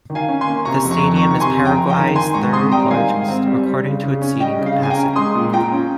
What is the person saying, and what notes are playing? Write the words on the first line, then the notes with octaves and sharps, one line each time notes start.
The stadium is Paraguay's third largest, according to its seating capacity.
D#3
F5 G#5
C#4
G#5 C6
A#3
C3 A#5 C#6
F2
A#5 C#6
F2
A#5 C#6
D#3
C#6
C3 G#5 C6
F2
G5 A#5
F2
G5 A#5
D#3
D#3 G#5 C6
G#2 A#5 C#6
C4 C6 D#6
G3 G5 A#5
D#3 F5 G#5
G#2
C4
G3
G3
C#3
C#3
C#4
G3 D#5 G5
C#3
F5
C#3 G#5
G5 A#5
C#4
G#3 C6 D#6
A#2
F4 G5 A#5
C#4